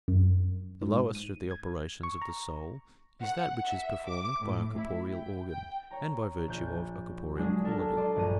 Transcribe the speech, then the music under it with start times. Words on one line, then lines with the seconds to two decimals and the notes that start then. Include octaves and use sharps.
The lowest of the operations of the soul is that which is performed by a corporeal organ, and by virtue of a corporeal quality.
0.08 F#2
0.82 G#2
1.15 D#7
1.51 G#6
2.03 C#6
2.22 A#5
3.21 F#5
3.68 E5
4.06 D6
4.42 A2
4.78 E4
5.12 G5
5.48 G5
5.91 C#5 A#5
6.48 A#1 G6
7.35 F#3 G#3 D4 G#4
7.64 D4 A4 A#4
7.97 D5 D#5 A5 C6
8.16 A#1 G2 A3 A#5 D#7